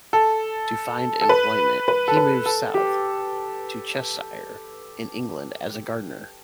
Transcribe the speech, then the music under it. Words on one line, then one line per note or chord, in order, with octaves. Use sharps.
To find employment, he moved south to Cheshire in England as a gardener.
A4
A4
B4
B4
A4
B4
A4
G4